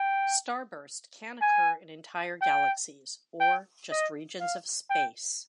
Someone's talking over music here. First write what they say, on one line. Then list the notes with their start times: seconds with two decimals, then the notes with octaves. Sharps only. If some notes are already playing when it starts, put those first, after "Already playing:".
Starburst can occur in entire galaxies or just regions of space.
Already playing: G5
1.41 G#5
2.41 G5
3.40 G5
3.91 D#5
4.40 F5
4.90 G5